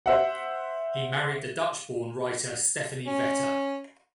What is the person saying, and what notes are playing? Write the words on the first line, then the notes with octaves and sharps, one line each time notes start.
He married the Dutch-born writer Stephanie Vetter.
C5 E5 F#5
C#4